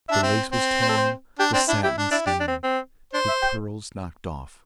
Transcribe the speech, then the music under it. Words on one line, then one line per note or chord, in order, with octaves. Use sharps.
The lace was torn, the satin stained, the pearls knocked off!
D4 E5
C4
C4
C5
A4
C5
D4 G4
C4 D4
D4 E4
E4 G4
D4
D4 E4
D4 G4
D4
C4
C4
D4 C5
E5
G5